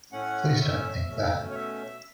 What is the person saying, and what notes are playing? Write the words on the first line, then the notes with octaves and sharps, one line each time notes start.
Please don't think that.
A2 A3 C#4 F#5
E5
B2 A3 C#4
C#5
E5